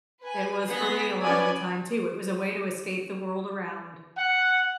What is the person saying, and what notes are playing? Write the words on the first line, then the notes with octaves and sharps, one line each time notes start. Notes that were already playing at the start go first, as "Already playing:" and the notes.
It was for me a lotta the time too, it was a way to escape the world around.
B4 G#5
B3 G#4 A#6 B6
B3 C#4 D5 G#5
F#5